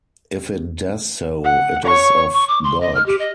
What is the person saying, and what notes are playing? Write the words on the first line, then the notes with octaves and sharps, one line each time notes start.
If it does so, it is of God.
F#5
C#5 C#6
C#6
D6
C6
D#5
F6
G4
D#5